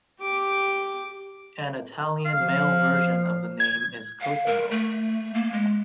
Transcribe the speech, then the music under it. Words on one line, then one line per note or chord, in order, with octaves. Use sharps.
An Italian male version of the name is "Cosimo".
G4 D6
F5
F3
G#6
F5
A#4
A3
A#3
G#3